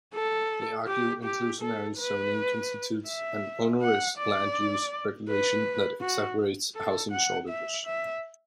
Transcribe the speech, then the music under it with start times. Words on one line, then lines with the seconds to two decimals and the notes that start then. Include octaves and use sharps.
They argue inclusionary zoning constitutes an onerous land use regulation that exacerbates housing shortages.
0.14 A4
0.87 G4
1.24 G4
1.61 A4
1.98 B4
3.07 E5
3.82 F#5
4.19 D5
5.29 B4
6.01 F#4
6.75 A4
7.11 F#5
7.49 E5
7.85 E5